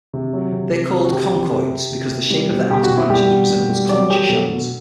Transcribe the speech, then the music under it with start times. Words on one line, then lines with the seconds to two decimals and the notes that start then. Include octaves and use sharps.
They are called conchoids because the shape of their outer branches resembles conch shells.
0.13 C3
0.33 F#3
0.52 C3
0.72 C3
0.93 C3
1.04 F#4
1.12 C3 G4
1.31 C3
1.51 C3
1.72 C3
1.92 C3
2.12 C3
2.30 G3
2.52 B2
2.71 B2 G4
2.84 F#4
2.90 B2
2.97 E4
3.10 G3 G4
3.30 B2
3.50 B2
3.70 G3
3.89 F#3 D5
4.10 F#3 G4
4.29 B2 A4
4.49 B2